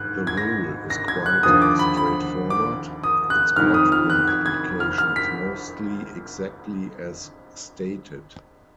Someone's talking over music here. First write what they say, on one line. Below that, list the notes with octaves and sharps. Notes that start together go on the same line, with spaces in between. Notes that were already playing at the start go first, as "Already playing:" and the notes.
The rule is quite straightforward; its court room application is mostly exactly as stated.
Already playing: G#2 D#3 F#6
G#6
A#6
A#6
G#6
F#6
D#2 D3 F3 D#6
D6
B5
B5
D6
D#6
F#6
F2 D#3 F6
D#6
F6
F#6
G#6
G#6
F6
F6
B6